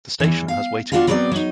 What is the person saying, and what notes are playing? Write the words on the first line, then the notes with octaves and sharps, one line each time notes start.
The station has waiting rooms.
E2 E3
F5
B3 D4 F4 F#4 B4 F5
F#3 B3 C4 B4 C5 D5
F#3 D#4